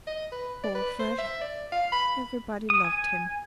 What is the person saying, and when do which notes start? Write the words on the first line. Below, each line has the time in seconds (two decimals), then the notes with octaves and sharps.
Poor Fred! Everybody loved him.
0.07 D#5
0.32 B4
0.63 D5
0.75 B4
0.99 C5
1.18 E5
1.41 D5
1.72 F5
1.92 B5
2.70 D#6
2.84 G#5